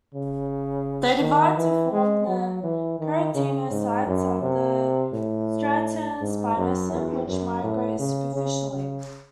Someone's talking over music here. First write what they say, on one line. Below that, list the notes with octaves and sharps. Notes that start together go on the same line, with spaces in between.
They divide to form the keratinocytes of the "stratum spinosum", which migrate superficially.
C#3
D#3
E3
G#3
F#3
E3
D#3
C#3
G#2
F#2
C3
A2
G#2
F#2
E2
F#2
A2
C#3
C#3
C#3